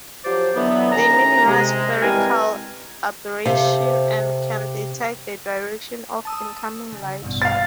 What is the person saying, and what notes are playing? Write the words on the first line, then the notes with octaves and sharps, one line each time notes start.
They minimize spherical aberration and can detect the direction of incoming light.
F3 F#3 G4 C5 D5 D6
D3 E3 F#3 B3
D#2 A2 C#4 A#5
C3 G#3
E3 G3 G#3 C4 A#4 G#5
C3 G4 A4 C5 F5
A5 D#6 E6
C#3
A1 G2 B2
F5 A6